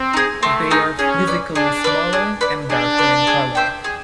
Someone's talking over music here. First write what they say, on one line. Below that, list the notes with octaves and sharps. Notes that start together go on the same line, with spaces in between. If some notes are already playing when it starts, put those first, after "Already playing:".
They are physically smaller and darker in color.
Already playing: C4
D#4 G#4
A3 C4
D#4 G#4
C#4 G#4
B4 D5
D4 G#4
B4 D5
G#4
B4 D5
D4 G#4
B4 D5
G#4
C5 E5 G5
G#4